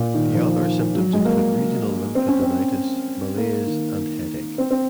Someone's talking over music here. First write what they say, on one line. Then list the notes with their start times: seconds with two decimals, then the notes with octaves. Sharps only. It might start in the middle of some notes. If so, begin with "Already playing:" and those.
The other symptoms include regional lymphadenitis, malaise, and headache.
Already playing: A#2
0.14 D#3
0.35 F3
0.95 F#3
1.13 G#3
1.25 A#3
2.15 C4
2.28 C#4
2.42 C4
3.37 A#3
3.67 D#3
4.58 C4
4.71 C4